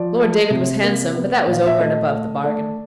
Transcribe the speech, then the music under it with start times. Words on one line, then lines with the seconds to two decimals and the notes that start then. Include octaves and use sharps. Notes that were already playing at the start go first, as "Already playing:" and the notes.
Lord David was handsome, but that was over and above the bargain.
Already playing: F3 D5
0.19 A3
0.50 C3
0.83 A#3
1.15 B3
1.47 A#2
1.53 F5
1.66 E5
1.80 A3 D#5
2.12 A3
2.44 A3 D5